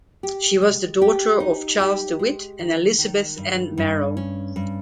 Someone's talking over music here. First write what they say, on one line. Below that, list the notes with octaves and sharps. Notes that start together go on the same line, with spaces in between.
She was the daughter of Charles De Witt and Elizabeth Ann Merrill.
G4
G#3
G4
D#4
G4
G#3
D#3
D#3
G2
G2
C#4
G2